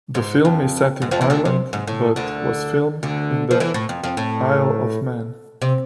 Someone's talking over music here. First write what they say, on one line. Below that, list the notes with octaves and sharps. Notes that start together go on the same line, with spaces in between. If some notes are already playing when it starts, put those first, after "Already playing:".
The film is set in Ireland but was filmed in the Isle of Man.
G#2
F2
G#2
F2 F3
E2 E3
D2 D3
C3
G#2
A2
D2 D3
D2 D3
F3
E2 E3
A2
F2
F2
A2
C3